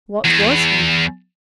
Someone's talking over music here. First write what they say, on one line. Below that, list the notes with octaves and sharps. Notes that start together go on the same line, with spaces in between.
What was he?
E2